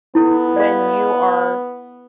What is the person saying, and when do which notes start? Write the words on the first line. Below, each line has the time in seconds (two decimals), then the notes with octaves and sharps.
when you are
0.15 B3 E4 A4
0.56 D5 F5